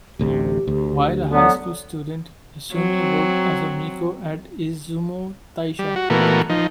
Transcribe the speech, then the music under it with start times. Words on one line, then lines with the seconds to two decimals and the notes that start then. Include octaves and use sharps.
While a high school student, Esumi worked as a miko at Izumo-taisha.
0.19 A1 D2 C3 G4
0.67 D2
1.30 D3 F#3 B3
2.73 F#3 C4
5.79 G3
5.96 F#4
6.10 A#2 E3 A3 B3 F#4 A#4
6.50 F3 D#4